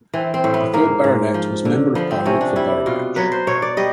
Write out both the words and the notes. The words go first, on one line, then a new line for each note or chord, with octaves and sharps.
The third Baronet was Member of Parliament for Boroughbridge.
E3 C4
C4
A2
B3
G#2 A#3
G#2
F3
D3
F3 B3
C4
C3 C#4
D4
G3 E4
B2 F4
F#3 B4
C5
B2 C#5
D5
G3 D#5